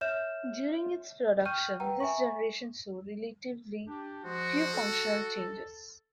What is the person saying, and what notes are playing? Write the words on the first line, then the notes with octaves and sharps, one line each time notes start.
During its production, this generation saw relatively few functional changes.
C#5 E5 F6 G6 E7
G5 C#6 F6 G6 D#7
B4 F#5 G5 A#5
E5 G#5 A#5 C#6
D4 G4
F3 G#3 F#4 C5
A4